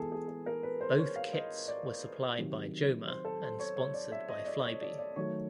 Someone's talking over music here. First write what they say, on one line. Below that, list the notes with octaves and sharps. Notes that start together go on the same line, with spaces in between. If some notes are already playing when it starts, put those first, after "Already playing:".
Both kits were supplied by Joma and sponsored by Flybe.
Already playing: E3 G#3 B3 G#4 A4
G#4
A4
A#4
B4
C5
C#5
F5
D#5
D5
C3 D#3 F#3
C5
A4
C5
C#5
C#5
D5
E5
D#5
D5
C#5
D5
D5
D#3 F#3 A3 C#5